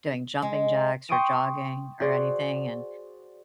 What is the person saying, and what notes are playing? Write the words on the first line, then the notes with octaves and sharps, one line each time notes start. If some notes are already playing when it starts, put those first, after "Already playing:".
doing jumping jacks or jogging or anything and
G#3
G5 C6 C#6 D#6 D7 D#7
F#4 G#4 C5 D5